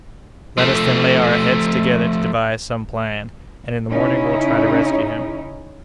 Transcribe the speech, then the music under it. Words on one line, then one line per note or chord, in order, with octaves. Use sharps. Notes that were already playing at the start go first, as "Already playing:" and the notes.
"Let us, then, lay our heads together to devise some plan, and in the morning we'll try to rescue him."
F3 A3
C#3 C#4 D#4 E4